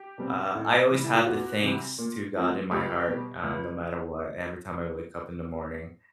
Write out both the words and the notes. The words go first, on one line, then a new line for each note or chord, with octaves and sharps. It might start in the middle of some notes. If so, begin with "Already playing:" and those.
uh, I always have the thanks to God in my heart, uh, no matter what, every time I wake up in the morning.
Already playing: G4
B2 G3 C4
A2
E3 G3
E4
F4
E2 F#4
C3 E3 G3
A#2
F3 A3 C4
C#2 G4
B2 G3
C#2